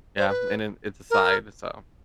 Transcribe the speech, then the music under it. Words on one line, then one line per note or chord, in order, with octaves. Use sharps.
yeah, and then it's a side, so
C5
B4
A#4